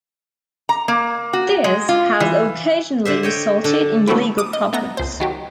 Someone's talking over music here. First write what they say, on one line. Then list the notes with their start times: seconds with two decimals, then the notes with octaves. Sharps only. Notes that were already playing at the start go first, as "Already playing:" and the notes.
This has occasionally resulted in legal problems.
0.69 A#5
0.88 A#3
1.33 F#4
1.64 G#3
1.89 F4
2.20 E3
3.05 D3 C5 E5
3.23 C#5 D#5 G5
3.64 D3 A4
4.07 D3 F#3 A3 B3 C4 E4
4.38 D6 D#6
4.53 D#5
4.73 A3 B3 A#5
4.97 C#2 C5
5.20 D#3 F#3 G4